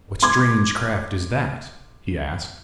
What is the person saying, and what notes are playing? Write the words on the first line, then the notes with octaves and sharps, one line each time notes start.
"What strange craft is that?" he asked.
C6 D6 G#6